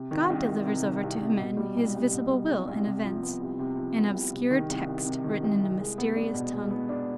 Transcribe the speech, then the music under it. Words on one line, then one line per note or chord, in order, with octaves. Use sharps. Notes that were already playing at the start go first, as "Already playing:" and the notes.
God delivers over to men his visible will in events, an obscure text written in a mysterious tongue.
Already playing: C3
D#3
C2
C2
C3
D#3
C2
C2
B2
G3
C2
C2
B2
G3
C2
C2
C3
F3
B3
C2
C3
F3
B3
C2
C3
D#3
C2
C2
C3
D#3
C2
C2
G#3
B3
D4
B2
G#3
B3
D4